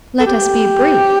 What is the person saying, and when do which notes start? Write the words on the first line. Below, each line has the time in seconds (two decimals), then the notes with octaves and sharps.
Let us be brief.
0.20 A4
0.27 G4